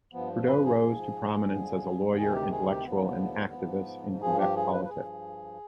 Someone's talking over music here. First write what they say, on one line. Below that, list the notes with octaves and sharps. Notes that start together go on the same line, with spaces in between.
Trudeau rose to prominence as a lawyer, intellectual, and activist in Quebec politics.
G2 F3 B3
B4
G#4
G#2 F3
F2 D3 F3
D2 C3 D#3 G#4
G4
G#4
G4
C4
D#2 D3 F3 B3
G#2 F3
G2 F3 G#4
G4
G#4
B4
B4
G2 F3 G#4